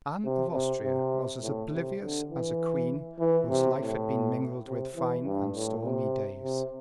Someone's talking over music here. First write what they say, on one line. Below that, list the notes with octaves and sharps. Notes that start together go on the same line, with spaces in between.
Anne of Austria was as oblivious as a queen whose life had been mingled with fine and stormy days.
C3
C3
C3
A2
C3
D3
E3
E3
C3
A2
C3
E3
G2
A2
C3
C3